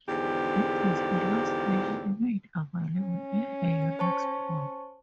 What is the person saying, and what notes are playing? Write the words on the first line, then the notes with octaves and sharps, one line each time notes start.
This was the last version made available in a Unix port.
E2 G#2 D3 F3 G4
C#4
C5 A5 C#6